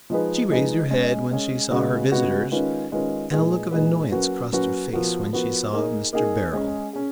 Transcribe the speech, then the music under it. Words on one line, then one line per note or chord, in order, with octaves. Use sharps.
She raised her head when she saw her visitors, and a look of annoyance crossed her face when she saw Mr. Beryl.
F3 G#3 D#4 G#4 B4
F3 G#3 D#4 G#4 B4
G#3 C#4 G#4
G#3 C#4 G#4
C#3 G#3 B3 F#4
C#3 G#3 B3 F#4
D#3 G#3 C#4 F4 B4
D#3 G#3 C#4 F4 B4
A#2 G#3 D#4 G#4 B4
A#2 G#3 D#4 G#4 B4
F#3 A#3 C#4 F#4 B4
F#3 A#3 C#4 F#4 B4
F3 B3 F#4 A#4
F3 B3 F#4 A#4
A#3 D#4 G#4
A#3 D#4 G#4
G#3 C#4 G#4
C#4 G#4